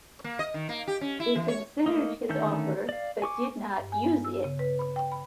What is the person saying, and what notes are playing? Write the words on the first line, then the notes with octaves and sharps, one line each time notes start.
They considered his offer, but did not use it.
A#3
D#5
D#3
A#3
G4
C#4
E4
E3
C#5
A3 A#3 D#4
D3 D#3 A3 C#4 G6
D5 F5
G#5 C#6 D6
G2
G#5
B3
E6
C#3
B4
B5
G5
B5